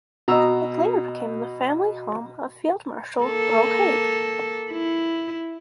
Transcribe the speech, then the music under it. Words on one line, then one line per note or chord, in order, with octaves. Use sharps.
It later became the family home of Field Marshal Earl Haig.
B2 F#4 D#5 A#5 E6
A#3 A4
E4